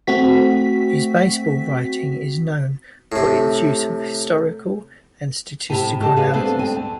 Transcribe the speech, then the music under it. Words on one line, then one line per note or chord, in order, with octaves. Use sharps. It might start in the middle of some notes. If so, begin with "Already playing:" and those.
His baseball writing is known for its use of historical and statistical analysis.
A3 C4 F#4 B6
A2 C3
A2 C3 E4 G4 A4 G#5
A2 F#4 G4 A4 D#5 A5
G4 G#4 B4 F5 F#5 G#5
G3 A3 B3 C4 D4 A4
C4 G#5
D2 D3